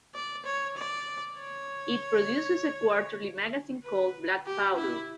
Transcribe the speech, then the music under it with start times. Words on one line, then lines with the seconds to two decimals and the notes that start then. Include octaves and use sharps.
It produces a quarterly magazine called "Black Powder".
0.15 D5
0.45 C#5
0.76 D5
1.38 C#5
3.84 B4
4.46 G4
4.76 E4